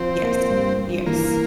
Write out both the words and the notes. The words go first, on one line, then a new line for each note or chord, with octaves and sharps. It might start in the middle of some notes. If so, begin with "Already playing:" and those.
Yes. Yes.
Already playing: F3 C4
A#3
G2
G2
E3 A#3